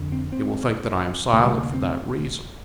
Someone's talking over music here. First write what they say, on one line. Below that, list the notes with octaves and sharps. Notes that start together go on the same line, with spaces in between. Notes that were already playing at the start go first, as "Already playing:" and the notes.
She will think that I am silent for that reason.
Already playing: F2 D3
C4
C4
D2 C3 A#3
G3
A3
A#3
C4